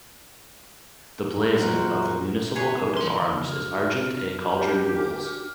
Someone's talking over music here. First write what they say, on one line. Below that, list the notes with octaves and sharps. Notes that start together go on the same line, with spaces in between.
The blazon of the municipal coat of arms is Argent a Cauldron Gules.
A#2 F#3 G#3 A#4 C5 F#5
G#4 B4 C#5
E3 C6
C#3 F3 F6
D4 F#4
G4 F6